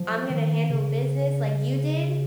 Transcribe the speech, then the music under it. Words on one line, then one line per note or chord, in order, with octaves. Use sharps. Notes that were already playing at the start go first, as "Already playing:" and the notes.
I'm gonna handle business like you did,
Already playing: F3
D#3
C#3